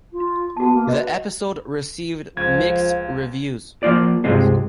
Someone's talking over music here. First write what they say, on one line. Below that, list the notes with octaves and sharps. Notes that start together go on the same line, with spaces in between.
The episode received mixed reviews.
F4
B3 F#4 A5
A#3
F#4 B4 D#5
C#2 F3 F5 G#6
F3 A#3 F4 D5
C#2 G2 C3 G#3 C4 F4